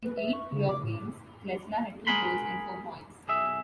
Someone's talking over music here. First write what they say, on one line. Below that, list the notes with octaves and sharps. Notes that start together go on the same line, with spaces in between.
In eight playoff games, Klesla had two goals and four points.
B4
E5
C#6
C#3
D6
A2
G#3 G#4 A#4 F#5 B5 C6
B1 G#4 E5